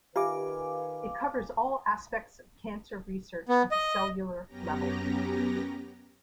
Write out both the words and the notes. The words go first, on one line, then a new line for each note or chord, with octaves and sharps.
It covers all aspects of cancer research at the cellular-level.
D#3 F4 G4 B4 E5 F5 G#5 D6
B3
D#5
F#2 B3 C#4 G4 A#5 A#6